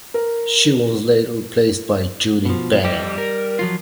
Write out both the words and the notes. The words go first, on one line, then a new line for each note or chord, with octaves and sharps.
She was later replaced by Julie Bennett.
A#4
B2 F3
F2 G3 G4 D#5
A#4
F3 F#3 F4